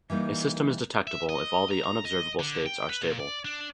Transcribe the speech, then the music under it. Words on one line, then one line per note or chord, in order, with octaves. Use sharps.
A system is detectable if all the unobservable states are stable.
E3 G3 A#3 D#4
E5
D#5
A#5
A#5
D#5
D3
G5
B4
A#2
D5
D4